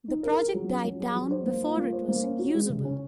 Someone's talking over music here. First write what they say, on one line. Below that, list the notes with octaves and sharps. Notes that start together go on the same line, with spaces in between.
The project died down before it was usable.
D#4
A#4
G#4
F#3
C#4
F#3
G#4
F#3
C5
A#3
F4
A#3
C5
A#3
C#4
F#4
G#3
C#3
C#4